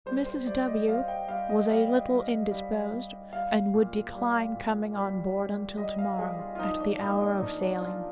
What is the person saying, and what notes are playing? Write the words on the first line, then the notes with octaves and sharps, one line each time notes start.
"Mrs. W. was a little indisposed, and would decline coming on board until to-morrow, at the hour of sailing."
G3 C5
C5
G3 D5
D#5
G3 F5
G5
G3 F5
D#5
G3 F5
G3
G3
G3
G3 F5
A#2
G3
A#2
G3
G3
G3 D#5
F5
G3 G#4
F4
F4
F3 D#4
D4
A#2 D#4
D4
F3 D#4
D4
F3 F4